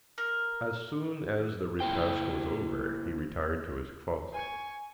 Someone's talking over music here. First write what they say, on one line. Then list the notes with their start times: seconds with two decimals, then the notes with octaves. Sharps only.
As soon as the repast was over, he retired to his closet.
0.18 A#4
1.80 A#3 E4 C5 G5
4.33 G#5 C#6